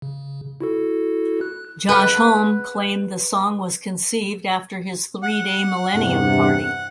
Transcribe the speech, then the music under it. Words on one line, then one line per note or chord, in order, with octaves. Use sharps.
Josh Homme claimed the song was conceived after his three-day Millennium party.
C#3
E4 F#4 A4
F#6
B4 F#5
F#5
E2 G2 C3